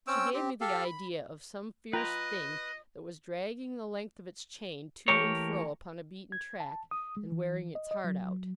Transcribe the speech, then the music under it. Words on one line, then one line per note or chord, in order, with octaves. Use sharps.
She gave me the idea of some fierce thing, that was dragging the length of its chain to and fro upon a beaten track, and wearing its heart out.
C4 C#4 G5 E6
C4 G4
G4 A4 F5
B5
F4 B4 D#5 G5 A#5
E3 A3 A#3 G4 A#4 C#5
G#6
A5
D#6
G#3
E3
D#5
D#5
F#3